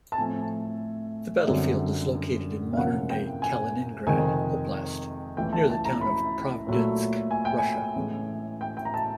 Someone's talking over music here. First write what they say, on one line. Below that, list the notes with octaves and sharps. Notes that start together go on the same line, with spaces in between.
The battlefield is located in modern-day Kaliningrad Oblast, near the town of Pravdinsk, Russia.
A5
A2 F3 A3 C4 G#5
F#2 D3 G3 C4
F5
E2 C3 F3 A#3 C#4 F#5
G5
G#5
F2 C3 D#3 G#3 C4 G#5
C#2 C#3 E3 A3 G5
A5
A5
A#5
B5
A#2 F#3 A3
G#5
G5
G#5
A2 E3 G#3 C#4
G5
G5
A#5
A5